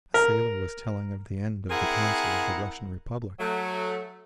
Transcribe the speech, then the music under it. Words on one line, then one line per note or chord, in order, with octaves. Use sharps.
A sailor was telling of the end of the Council of the Russian Republic.
A#4
C4 E4 G#4 A#4 F#5 A#5
F#3 A3